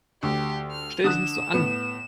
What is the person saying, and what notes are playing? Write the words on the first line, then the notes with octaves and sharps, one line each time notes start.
Stell dich nicht so an!
D2 G4
F6
D3 D#6 F#6 E7
A2 B3